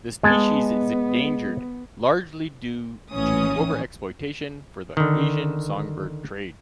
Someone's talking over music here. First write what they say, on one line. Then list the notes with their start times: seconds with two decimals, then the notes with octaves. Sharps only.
The species is endangered largely due to overexploitation for the Asian songbird trade.
0.23 G#3 B3 G#5 A5
3.11 A#1 A2 E3 C#4 D#6
4.97 D3 D#3